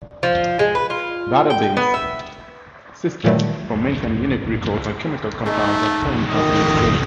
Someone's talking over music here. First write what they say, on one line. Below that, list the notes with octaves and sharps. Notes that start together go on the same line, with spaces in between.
Databases systems for maintaining unique records on chemical compounds are termed as Registration systems.
F3
G#3
B4
F4
G5
B3
E5
A#2 D#3 E3 F#3 G3 A3
A3 D#4 G#4
D#3 D#5